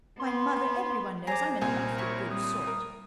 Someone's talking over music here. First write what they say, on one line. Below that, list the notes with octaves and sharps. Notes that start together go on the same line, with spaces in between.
"Why, mother, everyone knows I'm an awfully good sort."
B3 C6
G#4 C5 A#5 D6
C2 A#2 A#4 G#5
E4 C#5 C#6
G3 D#6
A#4